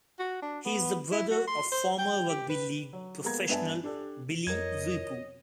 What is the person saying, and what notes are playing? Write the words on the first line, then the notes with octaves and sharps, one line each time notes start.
He is the brother of former rugby league professional Billy Weepu.
F#4
D4
B3
E4
F#4
C6
C5
G5
G4
B4
F#3
G#3 A#3 B3 A#5 G#6
G2 B3 B4 E5 G#5 A5
D4 G4 A4
F2 A#4 C#5 D#5 G#6